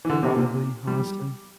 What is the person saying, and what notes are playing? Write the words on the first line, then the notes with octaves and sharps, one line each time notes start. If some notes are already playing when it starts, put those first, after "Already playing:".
Probably, honestly.
E3
D3
C3
A#2
G3
G3